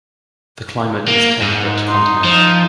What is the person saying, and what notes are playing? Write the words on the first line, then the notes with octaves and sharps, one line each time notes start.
The climate is temperate continental.
A#3
G#2
D#4 C6
F3 D#4